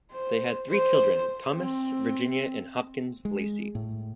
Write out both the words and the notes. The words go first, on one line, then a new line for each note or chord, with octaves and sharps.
They had three children: Thomas, Virginia, and Hopkins Lacey.
C5
C5
C4
G#3
A2